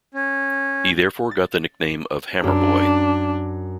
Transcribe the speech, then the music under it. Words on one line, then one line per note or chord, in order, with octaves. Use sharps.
He therefore got the nickname of "Hammerboy".
C#4
A6
F#2 D4